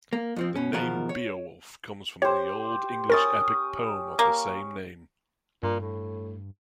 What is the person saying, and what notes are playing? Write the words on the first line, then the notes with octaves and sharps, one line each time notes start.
The name "Beowulf" comes from the Old English epic poem of the same name.
A#3
F2 F3 C4
B2 C#4
E2 B2 D#3 F3 A#4 F#5
C#5
G4 C5 C#5
C#4 A#4 D#6 A6
A#3
G2 A#2
A2